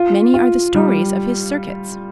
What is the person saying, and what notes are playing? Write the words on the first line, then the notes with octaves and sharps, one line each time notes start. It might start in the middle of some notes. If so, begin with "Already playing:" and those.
Many are the stories of his circuits.
Already playing: F4
F4
G3